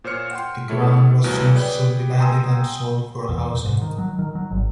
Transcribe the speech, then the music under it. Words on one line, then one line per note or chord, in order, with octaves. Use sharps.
The ground was soon subdivided and sold for housing.
A#2 C5 C#5 F6 C#7
F#5 G5 C6
A3 E4 A4 C#5
D2 G2 B2 E3 F#3 B3
G#4 B4 C#5 D5 G5 B5
G5 G#5 A#5 C6 D#6 E6
E2
G#2
D#3
F#3
D#3
F#3
G#1